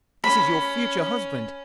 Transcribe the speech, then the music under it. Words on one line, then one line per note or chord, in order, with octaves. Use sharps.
'This is your future husband.
C#4 B5